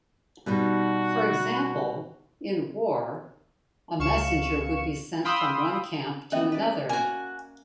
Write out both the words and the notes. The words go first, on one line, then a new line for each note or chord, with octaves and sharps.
For example, in war, a messenger would be sent from one camp to another.
B2 G3 D#4 F#4
C#2 F5 C#6 C#7 E7
F5 G5 B5 C6 D#6 E6
A#3 B3 C#4 D#5 E5
B4 D5
A#3 F#4 G#5